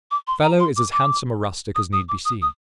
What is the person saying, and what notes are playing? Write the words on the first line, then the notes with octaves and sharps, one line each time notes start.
The fellow is as handsome a rustic as need be seen.
D6
C6
A#5
C6
D6
D6
D#6
D#6
D6
D#6
D#6